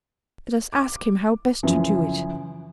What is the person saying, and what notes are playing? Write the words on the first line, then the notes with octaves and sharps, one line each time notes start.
Let us ask him how best to do it.'
D6
F#2 C#3 E3 F3